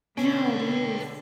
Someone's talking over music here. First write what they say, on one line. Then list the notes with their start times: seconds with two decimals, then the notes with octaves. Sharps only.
Yeah, it is.
0.17 B2 D3 C#4 B4 G5